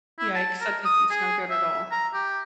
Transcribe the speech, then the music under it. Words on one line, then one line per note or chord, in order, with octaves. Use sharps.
Yikes, that doesn't sound good at all.
E4
A5
A#4
D#6
G#4
E5
A#5
G4